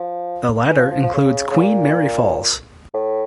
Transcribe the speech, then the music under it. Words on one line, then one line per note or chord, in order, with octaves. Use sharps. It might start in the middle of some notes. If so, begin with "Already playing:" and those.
The latter includes Queen Mary Falls.
Already playing: F3
E3
F3
F3
F3
C#3
C#3
A#2
A2